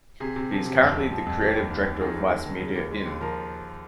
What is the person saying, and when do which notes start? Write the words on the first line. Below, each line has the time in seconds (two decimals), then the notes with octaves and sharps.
He is currently the creative director of Vice Media, In.
0.20 C3 G#4
0.36 C3
0.51 F3
0.66 C3
0.81 F2
0.95 F2
1.11 F3
1.26 F2
1.40 D#3 G4
1.56 D#2
1.70 D#2
1.86 D#2
2.01 D#3 G#4
2.16 D#2
2.31 D#3
2.46 D#3
2.61 C#3
2.75 D#2
2.91 G#3
3.06 D#2
3.21 F3 A#4